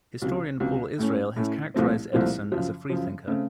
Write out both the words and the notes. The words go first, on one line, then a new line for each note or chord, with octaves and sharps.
Historian Paul Israel has characterized Edison as a "freethinker".
C#2 C3 F#3
C#2 C3 F#3
A2 A3 C#4
A2 A3 C#4
C2 A#2 F3 A3 C4
C2 A#2 F3 A3 C4
F#2 C#3 F3
F#2 C#3 F3
C#3 A3 C4